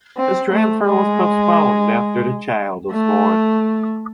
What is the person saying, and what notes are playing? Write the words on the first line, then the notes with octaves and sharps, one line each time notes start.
His transfer was postponed after the child was born.
C4
A3
G#3
A3